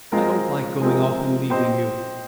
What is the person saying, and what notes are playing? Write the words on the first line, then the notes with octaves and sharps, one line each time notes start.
"I don't like going off and leaving you."
F3 G#3 C4 F4 A#4
F3 G#3 C4 F4 A#4
C4 G4 C5 D#5